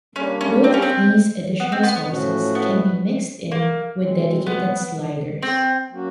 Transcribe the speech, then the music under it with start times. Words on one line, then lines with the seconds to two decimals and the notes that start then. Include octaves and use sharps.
Both of these additional sources can be mixed in with dedicated sliders.
0.16 G3 A#3 C#4 D4
0.41 C#4
0.64 C4
0.74 C#4
0.82 C4
1.60 B3
1.72 C4
1.83 B3
1.96 B3
2.08 A2 F3 A3 C#4 F#4
2.55 B3
3.52 A#3
3.98 B2 G#3 C4
4.47 B3
5.43 C4
5.90 F#3 A#3 C#4 F#4